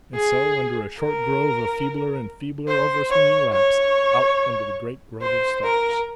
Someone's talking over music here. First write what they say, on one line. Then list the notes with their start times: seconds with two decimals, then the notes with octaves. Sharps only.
And so, under a short grove of feebler and feebler over-swinging lamps, out under the great grove of stars.
0.14 G#4
0.99 A#4
2.68 C5
3.10 C#5
3.53 C#5
5.22 C5
5.64 A#4